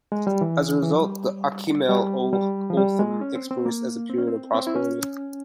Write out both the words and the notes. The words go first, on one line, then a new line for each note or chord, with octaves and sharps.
As a result, the Akimel O'Otham experienced a period of prosperity.
G#3
G3
E3
E3
F3
G3
G3
G3
F3
G3
G#3
C#4
C4
C4
A#3
C4
C#4
C4
C4
E4
C#4